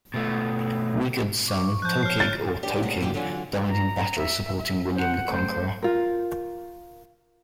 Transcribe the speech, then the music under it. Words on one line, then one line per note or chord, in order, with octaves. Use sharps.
Wigod's son, Tokig or Toking, died in battle supporting William the Conqueror.
B2 A3
C#6 D6
C#6
F3 F#6 G6
C#5 F6 C7
A6
C#4 D4 G4
C3 G#3 A3 B3 C#4
B2 E3 E4 F4 G4
D3 E3 F#3 C#4 F4 G#5
A#5
E5
E5
C5 F#5
A3 C5
F4 A#4